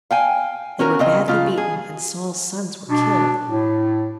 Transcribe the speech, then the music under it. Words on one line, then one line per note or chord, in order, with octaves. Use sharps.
They were badly beaten and Saul's sons were killed.
F5 G5 G#5
C#4 F#4 A#4
C#3 C4 D#5
C#3 F4
G#4
B2 D4
A2